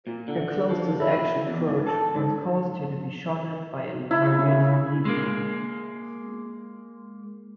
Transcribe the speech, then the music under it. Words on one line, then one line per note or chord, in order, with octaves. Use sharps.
Her close-to-the-action approach once caused her to be shot at by an "irate Libyan".
A#2
D3
F3
E4
E2
G#2
A4
G#2
C#3 E4
G#3 A#3